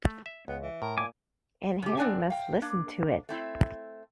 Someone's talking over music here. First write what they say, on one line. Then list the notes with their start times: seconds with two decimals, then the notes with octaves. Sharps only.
And Harry must listen to it.
0.05 A3
0.26 E5
0.48 C#2 B3
0.62 E3
0.82 A2 A#4
0.98 A#2 G#5 D6
1.82 C#3 G4
1.97 B3 C4 D4 D5 G#5 A5
2.30 F5 G5
2.62 A#3 D4
3.29 A3 C4 E4